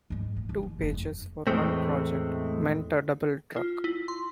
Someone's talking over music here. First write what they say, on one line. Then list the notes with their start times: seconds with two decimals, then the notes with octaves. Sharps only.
Two pages for one project meant a double truck.
0.10 G#2 G#3
0.36 A#2
0.49 F#1
0.63 D#2
0.81 F#1 D#4
0.94 F2
1.47 E2 A2 E3 G#3 A3 C4
3.56 F4
3.84 E4
4.08 C6